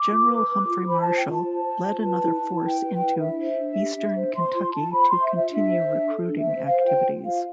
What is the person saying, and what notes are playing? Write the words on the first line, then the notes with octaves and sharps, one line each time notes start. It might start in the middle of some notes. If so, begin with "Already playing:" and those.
General Humphrey Marshall led another force into Eastern Kentucky to continue recruiting activities.
Already playing: D6
F4
B4
B4
F4
C5 B5
F4 A5
G5
F4
A5
C5
C5
F4
B4
E4
E4
B4 G5
B4
E4
D4 E5
C5
D4
G4
D4
C5
C5 C6
F4 C6
F4 A5
C5 B5
C5 C6
E5
F4 E5
D4 E5
C5
D4
A4
D4
E5
C5
C5 F5
F4 G5
F4
C5 F5